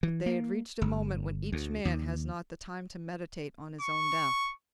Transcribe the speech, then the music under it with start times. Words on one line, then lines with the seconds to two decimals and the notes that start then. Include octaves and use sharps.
But they had reached a moment when each man has not the time to meditate on his own death.
0.03 E3
0.26 A#3
0.81 G1
1.52 D2
1.85 D#2
3.81 C#6